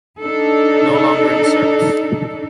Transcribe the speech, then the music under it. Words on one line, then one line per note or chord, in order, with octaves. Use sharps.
No longer in service.
D4 D#4 A4